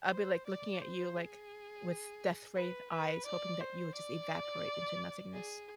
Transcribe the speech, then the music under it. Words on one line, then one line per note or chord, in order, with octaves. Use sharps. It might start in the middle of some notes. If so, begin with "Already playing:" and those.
I be, like, looking at you, like, with death wraith eyes, hoping that you would just evaporate into nothingness.
C5
D5
C5
G#4
B4
B4
D5
C5
D5
G#4